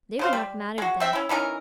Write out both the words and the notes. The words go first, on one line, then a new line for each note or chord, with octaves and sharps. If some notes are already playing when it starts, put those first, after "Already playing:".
They were not married then.
C#3 C5 F5
G3
G#3 F#4
C4 E5 G5
C#4 E4
E3 C#4 D#4 A#4